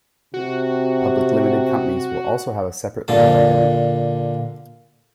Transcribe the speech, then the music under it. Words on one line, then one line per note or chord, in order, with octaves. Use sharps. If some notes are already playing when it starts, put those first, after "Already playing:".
Public limited companies will also have a separate legal identity.
C3 F#4
A#2 D3 A5